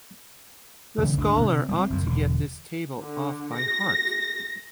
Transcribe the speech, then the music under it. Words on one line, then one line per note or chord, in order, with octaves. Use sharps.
The scholar ought to get this table off by heart.
C#3 E3 G#3 C4
G#1 D2 D4
C3
G3 C4
F#1 F#2
E1 D3
D3
A#6